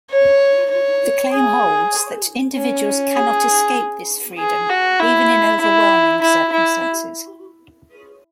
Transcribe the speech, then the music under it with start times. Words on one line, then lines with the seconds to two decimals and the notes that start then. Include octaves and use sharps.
The claim holds that individuals cannot escape this freedom, even in overwhelming circumstances.
0.11 C#5
0.71 C#5
1.33 G#4
2.55 C#4
3.16 G#4
4.39 G#4
4.69 F#4
5.00 E4
5.61 E4
6.22 E4
6.52 E4